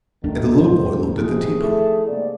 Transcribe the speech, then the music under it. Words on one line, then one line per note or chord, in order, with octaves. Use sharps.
And the little boy looked at the tea-pot.
D#2 D#3 F#3 G3 A3 D4
E2 G#2 C3 C5
D#2 G#2 C3
F3 G#4
A3 E4
G#2 C3 A#3 D5